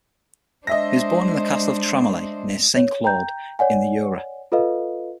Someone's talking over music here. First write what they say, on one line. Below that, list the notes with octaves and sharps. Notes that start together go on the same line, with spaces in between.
He was born in the castle of Tramelay near Saint-Claude in the Jura.
G#3 D4 C5 D#5 E5 A#6
C#5
G5 A#5 G6
C#5 D5 F#5 G#5
F4 A4 B4 D#5 F5